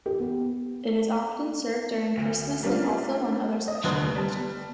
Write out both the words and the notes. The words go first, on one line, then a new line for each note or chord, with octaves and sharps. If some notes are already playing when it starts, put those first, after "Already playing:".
It is often served during Christmas and also on other special occasions.
G4
B3
D2
G3 A#3 B3 C#4 D4 F4
D#5
F1 D#2 D3 B4 C6 D#6
G3 A5